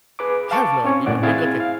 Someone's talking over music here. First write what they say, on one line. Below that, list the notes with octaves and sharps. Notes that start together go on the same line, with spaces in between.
I have no idea. Maybe, like, a
G#4 B4 B5 D6
F5 A5 C#6 D6
C4 C#4 C#5
A2 A#3 D5 F#5 D6
C4 E4 G#4 F5 G#6 A6
F5